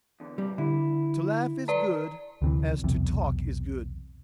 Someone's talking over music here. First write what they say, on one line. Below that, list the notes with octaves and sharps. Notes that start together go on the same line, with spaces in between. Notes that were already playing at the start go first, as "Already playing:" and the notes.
To laugh is good, as to talk is good.
E2 D3
G2 C3 G3
D3 E4
A4 B4 D5 A#5
D2 C3 E3
B1 E2 C3